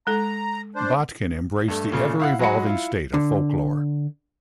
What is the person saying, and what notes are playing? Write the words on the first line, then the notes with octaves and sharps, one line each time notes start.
Botkin embraced the ever-evolving state of folklore.
G#3 A4 A#5
D4 C5
G2 A3
A#2 C#3 A3
E4 F5 F#5
F#3 G#3 F#4 B5 C#7
E4 F4
D3